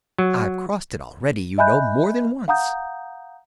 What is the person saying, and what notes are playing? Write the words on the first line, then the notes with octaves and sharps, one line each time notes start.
I've crossed it already, you know, more than once.
F#3
D#5 E5 G#5 B5 F#6 G6
F5 F#5 A#5 D#6 G6